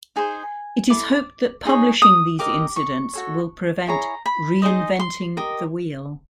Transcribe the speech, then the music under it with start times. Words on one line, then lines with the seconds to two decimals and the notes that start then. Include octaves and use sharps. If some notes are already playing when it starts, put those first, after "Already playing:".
It is hoped that publishing these incidents will prevent "Re-inventing the Wheel".
0.16 D#4 G#4 C5 G#5
0.90 E4 A4 D6
1.65 D#4 G#4 C#5
2.02 D#6
2.39 G4 A#4 D#5 D6
2.76 C#6
3.13 F#4 A4 C#5
3.87 E4 G#4 C#5 A#5
4.26 B5
4.62 D#4 G#4 C5 D#5
5.00 C6
5.37 G4 A#4 D#5